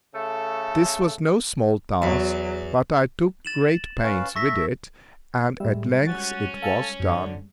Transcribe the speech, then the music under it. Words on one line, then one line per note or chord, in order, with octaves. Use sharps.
This was no small task, but I took great pains with it, and at length it was done.
C#3 A3 A4
E2 F#3
A6 E7 F#7
C#4 B4 F5
A4 E5 C#6 A#6 B6
A2 G3 G#3 E5
C#4 F#4 A6
A4 F5 G#5
F#2 D3